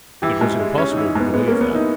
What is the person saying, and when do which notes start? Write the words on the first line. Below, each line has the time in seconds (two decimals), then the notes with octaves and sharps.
It was impossible to believe that.
0.22 E3 G4
0.41 G#2
0.50 E4
0.59 G#3
0.78 C#4
0.92 D#4
0.97 E3
1.06 D#4
1.15 G#2 B3
1.34 G#3 B3
1.48 A#3 C#4
1.61 B3
1.71 E3 D#4